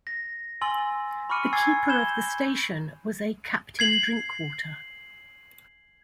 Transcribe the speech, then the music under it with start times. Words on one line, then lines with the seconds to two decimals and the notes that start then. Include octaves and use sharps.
The keeper of the station was a Captain Drinkwater.
0.07 A#6
0.61 G#5 C6 E6 A6 F#7
1.29 B5 C#6 D6 F6 C#7 D#7
1.53 G#5 C#6 E6 G#6 A6 C7
1.88 B5 G6 G#6 E7 G7
3.79 G#6 C7 F#7